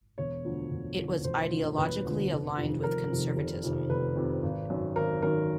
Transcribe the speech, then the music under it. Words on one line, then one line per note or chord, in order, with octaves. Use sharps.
It was ideologically aligned with conservatism.
E1 C#5
D2 D3 F3
E1
D2 D3 F3
E1 C5
D2 D3 F3
E1 B4
D2 D3 F3
F1
F2 C3 D#3
F1 A#4
F2 C3 D#3
F1
F2 C3 D#3
F1 B4
F2 C3 D#3
G#1
F#2 D#3
G#1 A#4
F#2 D#3 A#4